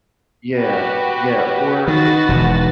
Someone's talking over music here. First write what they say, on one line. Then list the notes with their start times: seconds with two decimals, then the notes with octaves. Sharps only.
Yeah, yeah, or
0.57 F#4 G4 B4
1.88 D#3 F#4 B4 A6
2.29 E1 G#2